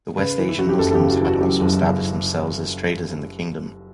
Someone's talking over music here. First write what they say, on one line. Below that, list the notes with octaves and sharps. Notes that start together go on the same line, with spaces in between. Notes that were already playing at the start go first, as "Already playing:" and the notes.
The West Asian Muslims had also established themselves as traders in the kingdom.
C#3 B4
E3
E4
F#2 F#4
G4
F#1 A4
A4
G4
C#3
F#4
E3 F#4
F#2 G4
F#1
C#3